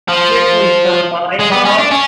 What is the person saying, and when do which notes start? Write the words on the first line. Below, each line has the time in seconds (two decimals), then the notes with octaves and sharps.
strictly for my mom
0.09 F3
1.39 G#3
1.52 B3
1.65 C#4
1.78 D4
1.91 C#4